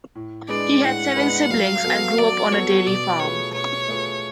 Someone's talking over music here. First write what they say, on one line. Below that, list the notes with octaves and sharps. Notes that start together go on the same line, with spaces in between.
He had seven siblings, and grew up on a dairy farm.
A2
G#3 D4 G#4 B4 D5
A2 F#5
G#3 D4 G#4 B4
F#3 F5
B3 F#4 A4
F#3 D5
B3 F#4 A4 C#5
B2 D5
A3 F4 G#4 B4 C#5
B2 C#5
A3 F4 G#4 B4